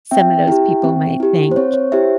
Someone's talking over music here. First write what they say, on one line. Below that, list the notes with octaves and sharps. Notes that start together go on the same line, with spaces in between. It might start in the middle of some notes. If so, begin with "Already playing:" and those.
some of those people might think,
C4 E5 G5
E4 G4
C4
E4 G4
C5
C4 C#5
C#5
E4 G4 C5 E5